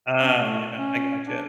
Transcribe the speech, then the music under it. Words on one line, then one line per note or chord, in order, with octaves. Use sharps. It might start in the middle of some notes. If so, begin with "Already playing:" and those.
Ah, yeah, I gotcha.
C#4
A3
C#4
D4